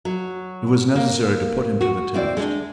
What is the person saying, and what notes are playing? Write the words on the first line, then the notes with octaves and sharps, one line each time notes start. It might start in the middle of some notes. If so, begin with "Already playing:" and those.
It was necessary to put him to the test.
F#3
A#3
F#4
C4 E4 D5
G#3 D4